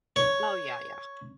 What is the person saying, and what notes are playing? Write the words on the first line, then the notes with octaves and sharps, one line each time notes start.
Oh, yeah, yeah.
C#5